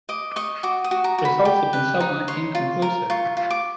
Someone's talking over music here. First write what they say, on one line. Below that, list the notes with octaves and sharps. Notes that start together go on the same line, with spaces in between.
Results have been somewhat inconclusive.
D#5 D6
D#5 C#6
F#4 D6
D#6
F#4
A#5
F#4
B5
G4
B4
D#4
C#5 C6
F4
A#4
F4 C#6
F4
D6